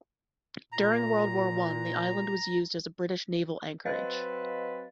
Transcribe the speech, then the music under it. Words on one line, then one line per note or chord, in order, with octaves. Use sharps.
During World War One, the island was used as a British naval anchorage.
A#2 A#5
F#3 C4 B4 D#5 F5 A6